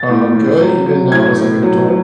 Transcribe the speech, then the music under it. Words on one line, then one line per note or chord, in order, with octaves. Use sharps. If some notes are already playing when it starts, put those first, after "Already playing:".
um, good even now as, like, an adult."
Already playing: A6
A2
A2
F#3
F#3
A2 G#6
A2
F#3
F#3